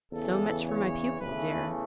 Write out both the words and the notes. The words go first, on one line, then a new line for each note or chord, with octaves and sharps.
So much for my pupil, dear!
E2 C#3 E3 A4
C#5
E2 C#3 E3 A3 B4